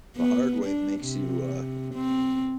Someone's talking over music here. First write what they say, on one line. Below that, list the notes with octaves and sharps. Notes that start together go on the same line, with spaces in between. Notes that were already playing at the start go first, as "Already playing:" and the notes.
the hard way makes you, uh,
B3
D4
C3
C4